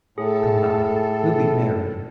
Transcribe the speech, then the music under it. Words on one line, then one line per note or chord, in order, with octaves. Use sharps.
Come now, we'll be merry.
A2 G#4 A4